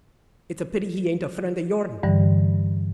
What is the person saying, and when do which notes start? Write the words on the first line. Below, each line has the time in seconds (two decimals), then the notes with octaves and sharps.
It's a pity he ain't a friend o' yourn.
2.03 G2 D3 E3 G3